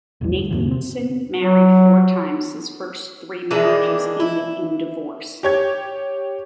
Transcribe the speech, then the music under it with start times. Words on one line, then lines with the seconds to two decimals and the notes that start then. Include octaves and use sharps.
Nathanson married four times; his first three marriages ended in divorce.
0.21 A#1 E2 G3
0.35 D2 G2
0.50 E2 G#2 D3 A#3
0.67 C3 C4
1.37 F#3
3.51 D#3 E3 G#3 D4
4.20 E4
5.43 G4 C#5 G#6